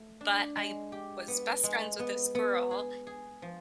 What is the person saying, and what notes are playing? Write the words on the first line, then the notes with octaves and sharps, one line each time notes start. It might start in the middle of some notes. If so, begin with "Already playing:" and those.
but I was best friends with this girl,
Already playing: A3
D4
G#3
G4
B3
G#3
B3
B3
G#4
G#4
F3